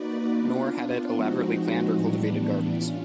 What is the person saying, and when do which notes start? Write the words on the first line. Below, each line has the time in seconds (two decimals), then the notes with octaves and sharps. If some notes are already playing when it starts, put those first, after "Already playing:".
Nor had it elaborately planned or cultivated gardens.
Already playing: A#3 D#4 F#4 B4 D5
0.33 B3 D4 F4
1.13 F3 G#3 C4 D#4 F#4
1.94 A2 E3 G3 B3 D4
2.73 C#4 F4